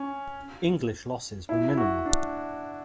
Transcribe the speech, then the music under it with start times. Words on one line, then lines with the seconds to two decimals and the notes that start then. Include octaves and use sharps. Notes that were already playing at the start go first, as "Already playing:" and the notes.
English losses were minimal.
Already playing: C#4
1.49 E4
1.69 E4
1.77 F#4
2.06 D4